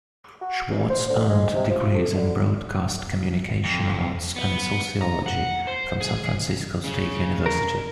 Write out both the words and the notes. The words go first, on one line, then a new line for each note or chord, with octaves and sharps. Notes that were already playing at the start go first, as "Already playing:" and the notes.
Schwartz earned degrees in Broadcast Communication Arts and Sociology from San Francisco State University.
F#4
E2
C5
D3
G#3
C3
F3
A4
D3
F2
B3
A#5
F#5
C5
G#4
C#3
A#4